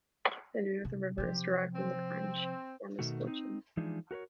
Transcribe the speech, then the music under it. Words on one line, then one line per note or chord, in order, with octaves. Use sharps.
The name of the river is derived from the French for misfortune.
C3
C3 F3 C4 G4
C4
B2 D#3 A3 F#4
C4 D#4
E3 F3 G#3 D4 D#4
F#4 A#4 B4 C#5